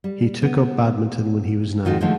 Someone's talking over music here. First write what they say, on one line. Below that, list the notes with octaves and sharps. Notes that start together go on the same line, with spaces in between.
He took up badminton when he was nine.
G3
B3
G#2 D#3 F4 F#4
D3 D#3 F3 G#3 A3